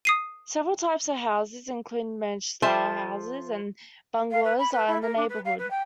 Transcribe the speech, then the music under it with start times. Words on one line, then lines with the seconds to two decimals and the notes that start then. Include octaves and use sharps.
Several types of houses, including ranch-style houses and bungalows, are in the neighborhood.
0.05 D#6 C7 D#7
2.62 F3 F4 A4 C5 E5 A5
4.31 F5
4.44 B4
4.59 B5
4.72 B4
4.88 E4
5.02 A#4
5.17 D4
5.29 B4
5.45 F5
5.58 B4
5.71 G5